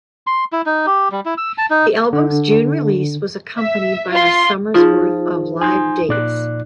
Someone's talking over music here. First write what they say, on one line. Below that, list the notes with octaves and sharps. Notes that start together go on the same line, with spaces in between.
The album's June release was accompanied by a summer's worth of live dates.
C6
E4
D#4
G4
G3
E4
E6
A5
D#4
D3
E5
F4 C6
F3 D#4 F4 G#4
D#4 G#5 C6 G6
A#2 D5 F#6